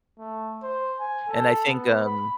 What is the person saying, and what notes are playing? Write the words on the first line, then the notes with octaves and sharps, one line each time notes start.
And I think, um
A3
C5
G#5
A4
B3
B5